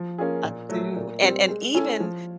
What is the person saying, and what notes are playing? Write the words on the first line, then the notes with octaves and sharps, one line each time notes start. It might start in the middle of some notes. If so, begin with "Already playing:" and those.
I do. And and even
Already playing: F3
A#3 C#4 F4 G#4
A#2
F#3 A3
A#2
G3 C4
G#3
C#4 E4 A4
F3